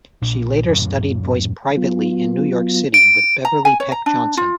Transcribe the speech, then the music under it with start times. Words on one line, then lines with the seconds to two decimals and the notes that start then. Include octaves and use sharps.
She later studied voice privately in New York City with Beverley Peck Johnson.
0.21 A#1 A#2
0.68 D1 F#2 A#2 F#3
1.77 F#3 B3 F4
2.94 D7
3.45 A#5
3.65 G#5
3.80 C#5
3.92 A#5
4.06 D4
4.37 F4